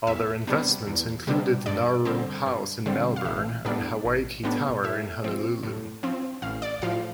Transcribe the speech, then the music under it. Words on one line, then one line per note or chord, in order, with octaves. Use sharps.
Other investments included Nauru House in Melbourne and Hawaiki Tower in Honolulu.
E2 E5
C3 G3 B3 D4
E2
C3 G3 B3 D4
G2 D5
D3 G3 C4
G2
D3 G3 C4
F5
A1 E5
A2 G3 B3 D4
A1
A2 G3 B3 D4
A2 E5
F3 C4
A2
F3 C4
A1 F5
D5
A2 F3 F5